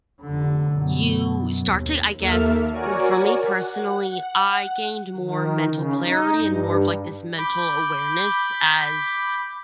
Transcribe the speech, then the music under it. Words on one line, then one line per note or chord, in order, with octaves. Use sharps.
you start to, I guess well, for me personally, I gained more mental clarity and more of, like, this mental awareness as
F1 D3
F#2 B2
D#2
D#2 A#3 A4 E5 F6
F#4 A#4 C#5 D5 G#5
F#5
D#3
C#3
D#4
G2
B5 D6 G6